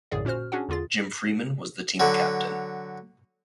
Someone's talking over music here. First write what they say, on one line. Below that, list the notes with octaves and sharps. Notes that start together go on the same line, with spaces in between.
Jim Freeman was the team captain.
A#1 F#2 A2 D3 G#4 D5
A#2 C#4 F#4 C5 F6
C#4 D4 F#4 G#4 F#5
E2 D3 F4 G#4 A6
D3 F#3